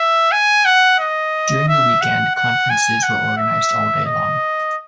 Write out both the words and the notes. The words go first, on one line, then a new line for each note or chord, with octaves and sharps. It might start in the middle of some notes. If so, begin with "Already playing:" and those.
During the weekend, conferences were organized all day long.
Already playing: E5
G#5
F#5
D#5
E5
F#5
F#5
G#5
F#5
E5
D#5